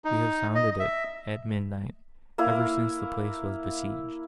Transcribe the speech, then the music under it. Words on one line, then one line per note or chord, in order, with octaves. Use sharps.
We have sounded it, at midnight, ever since the place was besieged.'
D#4
D#5
E5
A#3 E4 F5